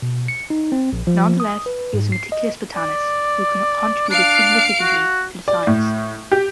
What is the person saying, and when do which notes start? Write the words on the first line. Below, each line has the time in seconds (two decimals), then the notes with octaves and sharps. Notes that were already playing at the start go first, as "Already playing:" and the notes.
Nonetheless, he was a meticulous botanist who contributed significantly to the science.
0.02 B2
0.28 C#7
0.50 D#4
0.72 C4
0.93 A#1
1.07 F3
1.40 D#6
1.66 B4
1.94 G#2
2.12 C7
2.32 D#5
2.76 D5
4.09 D4 F5 C7 D7
4.80 F#4
5.48 D5
5.67 A2
6.32 G4